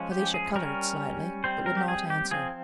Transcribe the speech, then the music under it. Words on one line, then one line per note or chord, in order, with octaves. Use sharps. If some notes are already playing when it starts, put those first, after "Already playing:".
Felicia colored slightly, but would not answer.
Already playing: F3 G#3 C#4
G4
G#4
G3 C#4 A#4
G3 C4 C5
A#4
G4
G#4
G4
F3 C4 G#4